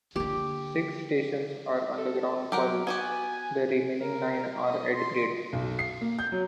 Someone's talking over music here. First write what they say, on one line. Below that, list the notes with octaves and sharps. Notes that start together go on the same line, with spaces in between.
Six stations are underground, while the remaining nine are at-grade.
D3 A#3 G4
A4
F#3 G4 A#4 F#5
B3 F#4 G4 G#5
A#4
D#5
C6
B1
C7
A#3
G6
F#3